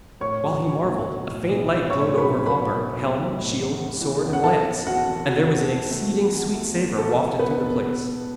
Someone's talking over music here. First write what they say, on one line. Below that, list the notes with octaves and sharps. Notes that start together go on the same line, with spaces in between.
While he marvelled, a faint light glowed over hauberk, helm, shield, sword and lance, and there was an exceeding sweet savour wafted through the place.
A2 C#5 C#6
F#3
F#3
B1
F#3
A2
B1
F#3
A2 C#5 C#6
F#3
B4 B5
B1
B4 B5
A2
B1
B1
B1
A2
E2
E2
E3
E2
F#5
E2 A4 A5
E3
E2 F#4 F#5
E2
E2 F#4
E2
E2
A3
E2
E2
A3
E2
E3 A4
E1
B3 B4
E2
E1
B3